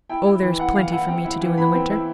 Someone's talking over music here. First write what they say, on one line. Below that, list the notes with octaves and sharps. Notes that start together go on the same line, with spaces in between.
Oh, there is plenty for me to do in the winter.
E4 G5
E4
E3
E4 F#5
E3 F5
E4 F#5
C4 G5
E4
E3
E3 B5
C4
E4